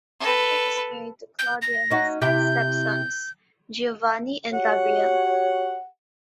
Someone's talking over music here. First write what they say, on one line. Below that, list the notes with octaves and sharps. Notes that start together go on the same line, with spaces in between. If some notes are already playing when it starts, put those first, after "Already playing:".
Patrick is married to Claudia and has two step sons, Giovanni and Gabriele.
A4 B4
G6
A#6
C#4 D#4 F#4
C3 E4 G4 G6
F#4 G4 C#5 F#5